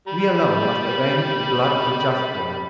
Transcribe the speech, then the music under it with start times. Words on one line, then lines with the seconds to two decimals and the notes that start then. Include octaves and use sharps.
We alone must avenge the blood of the just one....
0.08 G3 B5